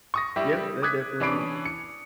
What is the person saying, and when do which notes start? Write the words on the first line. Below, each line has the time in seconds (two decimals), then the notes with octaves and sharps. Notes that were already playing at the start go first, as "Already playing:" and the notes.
Yeah. That definitely
0.14 C#6 D#6 A#6
0.36 G3 E4 G4
0.82 D6 D#6 F#6 G#6 B6
1.20 E3 C#4 D4 B5 C7 D7
1.66 C#7